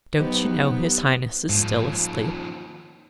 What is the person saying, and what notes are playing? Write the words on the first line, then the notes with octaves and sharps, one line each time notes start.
Don't you know his highness is still asleep?'
F#3 B3 D#4 G4 C5
D#2 G#2 F3